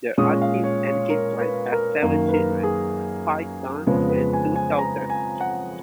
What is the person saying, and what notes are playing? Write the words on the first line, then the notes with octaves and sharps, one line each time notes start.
The artist and his wife had seven children; five sons and two daughters.
A#2 G#3 C#4 D#6
F5
C#5
C#5
A#4
B4
A#4
F#2 D#3 A#3 A#4
B4
A#4
G#4
F2 C#3 F3 G#3 B3 G#4
B4
G#5
G#5
A#5
G#5
F#5